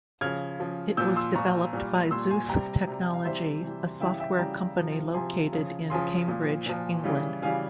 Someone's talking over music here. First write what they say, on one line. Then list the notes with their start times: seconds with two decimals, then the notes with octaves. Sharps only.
It was developed by Zeus Technology, a software company located in Cambridge, England.
0.21 C#3 F3 F6 G#6
0.60 C#3 F3
0.97 A#2 F3 E6 G6
1.16 C6 E6
1.35 A#2 F3 A#5 C#6
1.73 A#2 G3
2.11 A#2 G3 C6 E6
2.30 G#5 C6
2.49 C3 G3 G5 A#5
2.87 C3 G3
3.14 F5
3.25 C3 E3 G3 C5 E5
3.63 C3 E3 G3
4.00 C#3 E3 G3 E5 G5
4.20 E5 G5
4.38 C#3 E3 G3 G5 A#5
4.77 C3 F3
5.14 C3 F3 G#5 C6
5.53 C#3 F3
5.90 C#3 F3 G#5 C6
6.28 A#2 F3
6.66 A#2 F3
7.04 C#3 E3 G3
7.42 C#3 E3 G3 F5 G#5